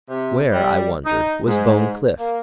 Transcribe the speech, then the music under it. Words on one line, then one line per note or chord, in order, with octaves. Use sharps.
Where, I wondered, was Bone Cliff?
C3
G3
D#4
G#2
A#3